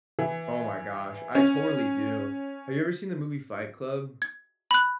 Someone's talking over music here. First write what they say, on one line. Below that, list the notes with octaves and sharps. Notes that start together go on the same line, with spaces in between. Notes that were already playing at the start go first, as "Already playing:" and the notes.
Oh my gosh, I totally do. Have you ever seen the movie Fight Club?
E3
C#4
G#6
B5 F#6